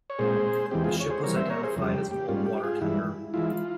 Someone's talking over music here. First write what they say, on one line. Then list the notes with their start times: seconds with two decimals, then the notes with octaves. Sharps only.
The ship was identified as an old water tender.
0.10 C#5
0.19 A#2 G#3 C4 G#4 C5
0.71 E2 E3 G#3 C4 G4
0.84 F4 G#4
1.00 C#5
1.10 G#4 C5
1.24 E3 G3 C4 A#4 C#5
1.37 C5 E5
1.50 A#4 C#5
1.63 G#4 C5
1.76 F2 C#3 G3
1.94 G4
2.11 G4
2.29 G#2 G3 C#4 F4
2.46 G4
2.63 F4 G#4
2.81 G2 E3 G#3 E4
3.34 E3 G#3 E4 F4